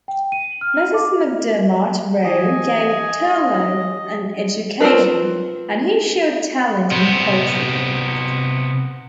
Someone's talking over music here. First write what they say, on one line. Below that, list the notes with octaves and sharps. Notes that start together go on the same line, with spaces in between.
Mrs. MacDermott Roe gave Turlough an education, and he showed talent in poetry.
G5
D#7
F6
D6
E3 G4 D#5 G#5
C4 F4 G#4 A#4 B4
C3 B3